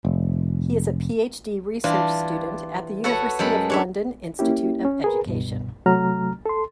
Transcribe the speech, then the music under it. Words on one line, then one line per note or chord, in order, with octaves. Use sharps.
He is a PhD research student at the University of London Institute of Education.
F1
E3 G3 D4 F4
F#4 A4 B4 C#5 F#5
F#2 G#3 A4 B5
D4 C#5 E5
A#3 C#4 E4 G4
C#4
G#4 A#4 B4
C#2 G2 B2
C3 F#3 A3 A#5 F6
A4 C6